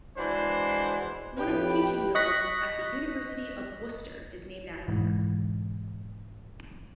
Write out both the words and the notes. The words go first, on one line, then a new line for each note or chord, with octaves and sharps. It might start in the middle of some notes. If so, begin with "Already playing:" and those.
One of the teaching buildings at the University of Worcester is named after her.
E3 G#3 D4 F#4 C5
F2 A2 G4 B4
D#5 C#6 F#6 A#6 B6
B1 G#2 E3